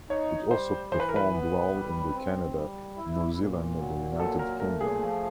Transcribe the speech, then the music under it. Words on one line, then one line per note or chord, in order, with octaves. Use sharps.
It also performed well in the Canada, New Zealand and the United Kingdom.
D#4 C#5
G3 C5
E3 C5
B4
A#4
B4
B3
G3
C4
G3
E4
A#2
F#3
A#2 A4
A#4
A3 A#4
G#4
F3